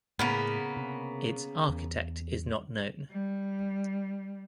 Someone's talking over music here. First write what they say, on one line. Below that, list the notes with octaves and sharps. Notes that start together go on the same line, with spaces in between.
Its architect is not known.
A2 C#3 A#3 B3
C3
E2
G3